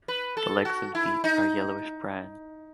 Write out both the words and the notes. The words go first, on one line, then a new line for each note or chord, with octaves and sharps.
The legs and feet are yellowish-brown.
B4
A4
F#4
E4
D#4